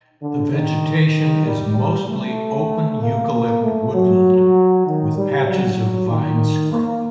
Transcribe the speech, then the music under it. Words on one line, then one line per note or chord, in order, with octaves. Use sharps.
The vegetation is mostly open eucalypt woodland with patches of vine scrub.
D3
D#3
G3
G3
A3
A#3
A#3
A3
F#3
D#3
G3
F#3
D#3
A#3